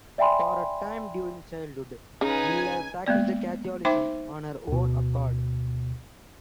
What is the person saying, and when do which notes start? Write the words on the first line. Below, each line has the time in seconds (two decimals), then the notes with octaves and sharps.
For a time during childhood, Miller practiced Catholicism on her own accord.
0.18 D5 E5 G5 G#5 B5 C6
2.21 C#3 D#4 B4 G#5
3.06 G#3 A#3 B3 D5
3.85 D#4 C5 E5 G5 C6 D6
4.68 D2 B2